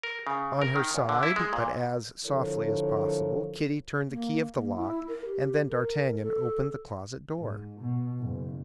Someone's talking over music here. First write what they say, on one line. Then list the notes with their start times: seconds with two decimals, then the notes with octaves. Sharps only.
On her side, but as softly as possible, Kitty turned the key of the lock, and then d'Artagnan opened the closet door.
0.03 A#4
0.27 C#3
0.62 A#4
0.76 D#3
0.94 E2
1.09 D3
1.23 E4
1.36 G#3
1.53 A#2
2.25 D3 F3 E4 A4 A#4 C#5
4.10 A#3
4.55 A#3
4.76 E4
5.08 A#4
5.25 G4
5.69 A#4
6.21 A4
7.36 G#2
7.80 B2
8.19 F#1